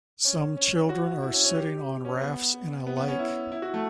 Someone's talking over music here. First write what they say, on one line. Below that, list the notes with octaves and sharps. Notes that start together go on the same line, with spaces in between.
Some children are sitting on rafts in a lake.
C#4
C#4
F#4
E4
C#4
C#4
G4
C#4
B3
B3
B3
C#4
E4
E4
F#4
A3